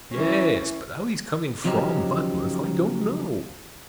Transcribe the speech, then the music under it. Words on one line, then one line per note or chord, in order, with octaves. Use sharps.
"Yes; but how he's coming from Budmouth I don't know."
E3 C#4
C#3 F3 F#3 C#4 D#4 G4